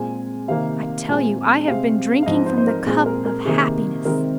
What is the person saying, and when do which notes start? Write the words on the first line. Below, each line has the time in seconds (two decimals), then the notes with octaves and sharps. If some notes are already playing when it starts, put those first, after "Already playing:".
I tell you I have been drinking from the cup of happiness.
Already playing: A#2 G#3 C4 G#5
0.48 C3 D#3 A#3 F5
1.08 A#2 G#3 C4 G#5
1.68 C3 G#3 C4 F5
2.22 F5
2.26 G#2 F3 C4 D#5
2.46 C5
2.58 C5
2.67 A#4
2.86 A#2 G#3 C4 G#4
3.06 A#4
3.26 A#4
3.45 C3 D#3 A#3 G#4
4.05 C3 D#3 G#3 C4 A#4